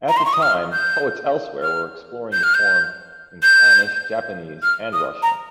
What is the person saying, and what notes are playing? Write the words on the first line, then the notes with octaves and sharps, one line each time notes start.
At the time, poets elsewhere were exploring the form in Spanish, Japanese and Russian.
A#5
C6
C#6
D#6
F6
G6
F6
G6
F6
G6
G6
F6
D#6
A#5